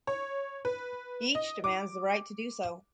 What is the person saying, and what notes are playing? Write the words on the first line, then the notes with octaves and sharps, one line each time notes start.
Each demands the right to do so.
C#5
B4
D#5
D6